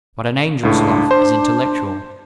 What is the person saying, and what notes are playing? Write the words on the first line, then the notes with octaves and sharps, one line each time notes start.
But an angel's love is intellectual.
C#2 A2 D4
C5